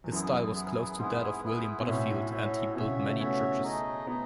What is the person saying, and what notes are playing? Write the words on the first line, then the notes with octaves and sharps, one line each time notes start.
His style was close to that of William Butterfield and he built many churches.
E2
F#2 B3 E4 G#4
B3 E4 G#4
G#2 B3 E4 G#4
B3 E4 G#4
B2
A2 C#4 F#4 C#5 E5
C#4 F#4 C#5 E5
B2 C#4 F#4 C#5 E5
C#3
C#3
A3
B3 C#4 F#4 C#5 E5
A3 D#4 G#4 D#5
A3 B3 D#4 G#4 D#5